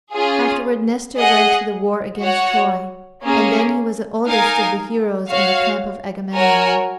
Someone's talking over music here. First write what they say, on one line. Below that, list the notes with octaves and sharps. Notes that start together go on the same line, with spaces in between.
Afterward Nestor went to the war against Troy, and then he was the oldest of the heroes in the camp of Agamemnon.
C#4 F4 G#4
G#4 D#5 F#5
F#4 C#5 F#5
A#3 C#4 G#4
D#4 A#4 F5 G#5
F#4 C#5 F5
F#4 A#4 C#5 G#5